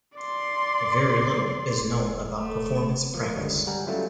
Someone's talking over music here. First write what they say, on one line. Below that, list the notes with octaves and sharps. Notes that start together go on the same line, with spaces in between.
Very little is known about performance practice.
D5 C6
A3
F3 A#3
G1 C#2 D4 C#5 D#5
G3 F#5 G#5 A#5
F#3 G3 A3 C#4 E4 F4